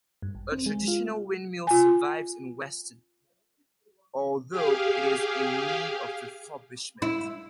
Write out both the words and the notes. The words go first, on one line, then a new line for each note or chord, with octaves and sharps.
A traditional windmill survives in Weston, although it is in need of refurbishment.
G2
G#1
C4
G#3
F4
F4 G#5
G4 G#4 F5
E4